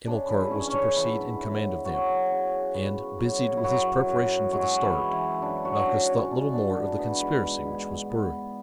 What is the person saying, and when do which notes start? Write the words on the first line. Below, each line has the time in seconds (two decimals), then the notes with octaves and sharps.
Hamilcar was to proceed in command of them, and, busied with his preparation for the start, Malchus thought little more of the conspiracy which was brewing.
0.07 C#3 D4
0.29 E3 E4
0.51 C#3 C#4
0.67 C#4
0.73 D4
0.96 E3 B3 E4
1.41 F#3
1.85 C#3 F#3 F#4
2.30 C#3
2.74 B3
3.19 F#3
3.57 E4
3.64 F#2 F#3 F#4
4.08 F#2
4.52 F#3 G#3 F#4
4.83 E3 E4
4.98 E3
5.12 E3 E4
5.42 F#2 D4
5.65 F#3 F#4
5.87 F#2 D4
6.09 C#4
6.31 G#3 D4
6.54 D4
6.76 E3 D4
6.99 B3 B4
7.21 G#2
7.65 G#2
8.10 B3